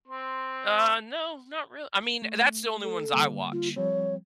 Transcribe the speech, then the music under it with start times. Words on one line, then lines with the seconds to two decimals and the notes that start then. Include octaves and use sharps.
Uh, no, not reall I mean, that's the only ones I watch.
0.08 C4 C6
2.22 A3
2.84 A4
3.13 D3 G3 A#3
3.52 F4
3.76 F3 G3 C4 C#5